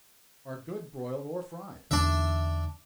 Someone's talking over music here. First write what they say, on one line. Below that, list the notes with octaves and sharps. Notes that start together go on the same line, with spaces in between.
Are good, broiled or fried.
E2 D3 D4 E5